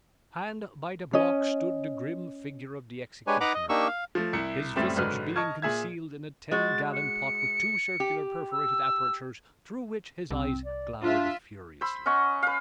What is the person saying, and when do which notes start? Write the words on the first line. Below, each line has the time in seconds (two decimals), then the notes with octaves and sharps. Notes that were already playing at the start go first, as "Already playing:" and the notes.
Hand by the block stood the grim figure of the executioner, his visage being concealed in a tengallon pot with two circular perforated apertures through which his eyes glowered furiously.
1.13 C#4 D#5
3.27 G#3 D4 G4 B4 C#5 G#5
3.41 D#4 B4 F#5 A#5 B5 D6
3.54 D#5
3.69 A#3 D4 D#4 G4 C#6 E6
3.88 F5
4.15 F3 A3
4.33 C2 E4 C#7
4.76 F#2 A2 G3 C4 E5 A6
4.96 G#1 G#2 D3 F#3 B4 F6
5.36 D#5 A5 C#6 F6 G#6
5.62 A#2 G#4 E5 G#6
6.51 G#3 F#4 A6
6.94 C#7
8.00 G4
8.52 E6
10.31 C2 C4
10.65 D5
11.01 D4 F4 E5
11.81 C5 B5 E6
12.06 C#4 D#5 F#5 C#6
12.42 B4 F5